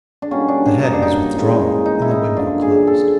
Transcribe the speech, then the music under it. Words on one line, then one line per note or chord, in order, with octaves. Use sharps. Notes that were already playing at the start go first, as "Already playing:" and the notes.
The head was withdrawn and the window closed.
D4
B2 G3 A#3 C#4
D4
D4
D#4
D4
D#4
C#3 E3 G#3 C4
D#4
E4
D#4
F#2 D3 F3 D4
G#4
A4